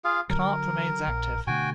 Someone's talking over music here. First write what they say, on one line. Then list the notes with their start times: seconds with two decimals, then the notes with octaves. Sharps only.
Karp remains active.
0.04 F4 G#4 F5
0.30 D3 F#3 A#4
1.08 A#1
1.47 B2 D3 A3 F#4 G5 G#5